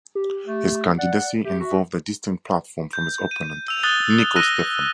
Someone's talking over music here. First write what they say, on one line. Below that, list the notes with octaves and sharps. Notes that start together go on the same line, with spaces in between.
His candidacy involved a distinct platform from his opponent Nicol Stephen.
G4
A3
D5 F#5
G4 E5
F#4
G6
D#7
E6 F7
D#6 F#6 A6 G7
E6 F#6 A#6 D#7 G7